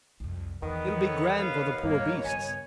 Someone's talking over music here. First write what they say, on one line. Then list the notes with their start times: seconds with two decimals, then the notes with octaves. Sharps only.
It'll be grand for the poor beasts.
0.20 C2 F2
0.62 E2 D#3 B3
0.97 A4 C#5
1.39 D#2 F5
1.83 G2 A#3 B3 C#5
2.24 G2 C#3 G#5